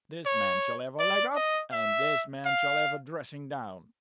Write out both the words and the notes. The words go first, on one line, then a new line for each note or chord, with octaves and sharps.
This man shall have a leg up, and this man shall have a dressing down!
C#5
D5
D#5
E5
F5